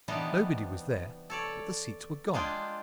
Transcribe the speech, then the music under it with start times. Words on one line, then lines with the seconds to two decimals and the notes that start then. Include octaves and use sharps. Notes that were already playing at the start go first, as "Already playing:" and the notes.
Nobody was there, but the seats were gone!
0.08 C3 E3 G3 B3 D4 D#4
1.30 A4 C#5 D5
2.33 G#3 A#3 D4 F4 G#4 G5